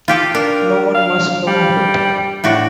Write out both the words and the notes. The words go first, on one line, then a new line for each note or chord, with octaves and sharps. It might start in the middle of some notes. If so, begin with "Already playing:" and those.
No one must know of it.
F4 G4 A4
D4 A#4
F5
G3
A2 D4 F#4